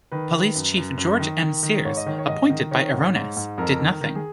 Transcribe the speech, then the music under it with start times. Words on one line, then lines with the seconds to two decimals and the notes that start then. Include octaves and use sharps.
Police Chief George M. Sears, appointed by Irones, did nothing.
0.12 D#3 B4
0.33 D#3
0.56 F#2
0.77 F#2
0.98 F#2
1.19 D#3
1.42 D#3
1.63 D#3
1.85 G#2 C#5
1.97 D#5
2.06 D#3 C#5
2.18 C#5
2.28 G#2 D#5
2.50 D#3
2.71 D#3 C#5
2.94 G#2
3.16 G#2
3.37 G#2
3.58 F2 A#4
3.79 D#3
3.87 A#4
4.01 D#3
4.16 G#4